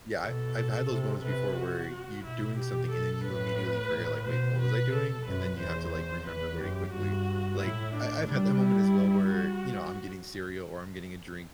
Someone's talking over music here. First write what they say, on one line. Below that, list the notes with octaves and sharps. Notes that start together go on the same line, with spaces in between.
Yeah, I I've had those moments before where you doing something and then you immediately forget, like, "Wait, what was I doing?" And then you have to, like, remember very quickly. Like, I I've had that moment as well where, you know, I'm getting cereal or I'm getting a drink,
B2 A4
C3
C3 B4
F#4
B2 E4
G4
A4
A2 B4
A2
B2 C5
B4
A4
F#2 B4
E2 C5
C5
E2 B4
F#2 G4
G2 F#4
A2 E4
D4
G3 D4
E4
F#4